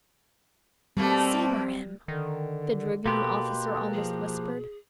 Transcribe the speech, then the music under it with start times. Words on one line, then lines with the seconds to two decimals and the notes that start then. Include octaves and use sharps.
"Saber him!" the dragoon officer almost whispered.
0.97 B2 G3 A3 A#3 C4
2.08 D3 D#3
3.06 B2 A#3 G4 A4 B4 C6
3.63 A4
3.94 F3 G#4